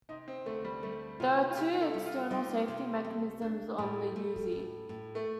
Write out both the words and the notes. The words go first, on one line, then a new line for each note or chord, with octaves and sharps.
There are two external safety mechanisms on the Uzi.
C3 D#4
C4
D2 A3
G3
G3 A3
C3 F4
F4
C3 G4
A4
G3
F4
G3 D#4
C3
A3
D4
A2 G3
A3
A2
A2
A3